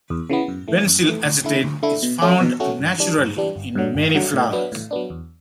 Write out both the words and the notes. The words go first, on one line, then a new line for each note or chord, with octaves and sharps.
Benzyl acetate is found naturally in many flowers.
E2
C#3 E3 B3
F#2
E3 A3
F#2
E3 A3
D2
D3 A3 E4
D2
D3 A3 E4
B2
F#3 A3 C#4 F#4
B2
F#3 A3 C#4 F#4
G2
E3 G3 D4
G2
E3 G3 D4
G1
G2 D3 F#3
G1
G2 D3 F#3
A2
F#3 B3 D4
A2
F#3 B3 D4
E2